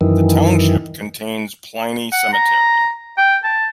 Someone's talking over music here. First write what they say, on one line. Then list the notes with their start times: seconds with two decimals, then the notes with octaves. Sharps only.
The township contains Pliny Cemetery.
0.01 F#2 D#3 E3
2.12 F#5
2.33 A#5
3.18 G5
3.44 A5